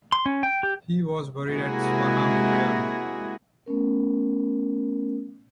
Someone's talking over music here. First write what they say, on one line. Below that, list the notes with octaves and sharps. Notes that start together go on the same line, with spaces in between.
He was buried at Swaffham Prior.
C6
C#4
G5
G4
C3 G#3 A#3 E4 F#4 G#4
A3 B3 C#4 A#4